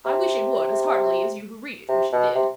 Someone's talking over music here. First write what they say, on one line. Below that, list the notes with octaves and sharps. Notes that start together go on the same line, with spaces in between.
I wish it would as heartily as you who read it wish it did.
C3
C3
B2
C3